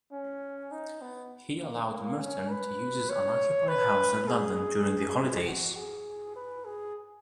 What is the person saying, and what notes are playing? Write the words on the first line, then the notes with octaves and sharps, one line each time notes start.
He allowed Merton to use his unoccupied house in London during the holidays.
C#4
D#4
B3
A#3
C#4
B4
C#5
B4
G#4
G#4
F#4
G#4
B4
G#4